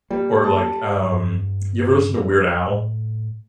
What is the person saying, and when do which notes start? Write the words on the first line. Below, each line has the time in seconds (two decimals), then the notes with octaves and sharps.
Or, like, um, you ever listen to Weird Al?
0.11 G3 A#3
0.44 A5
1.03 G2
2.67 A2